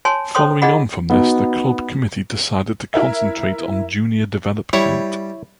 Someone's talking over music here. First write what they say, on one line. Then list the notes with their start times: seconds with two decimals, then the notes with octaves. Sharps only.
Following on from this the club committee decided to concentrate on junior development.
0.05 C#5 G#5 A5 C6
0.35 A4 C5 C#5 G5 C6 D#6
0.62 D4 E4 G#4 D#5 F#5 B5
1.10 B3 D#4 F#4
2.94 E4 A#4 E5
4.73 G3 E4 C#5